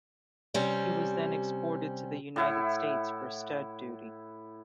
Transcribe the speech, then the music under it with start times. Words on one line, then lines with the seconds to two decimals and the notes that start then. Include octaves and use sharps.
He was then exported to the United States for stud duty.
0.54 C3 G3 C4 C#4
2.36 A2 E4 F#5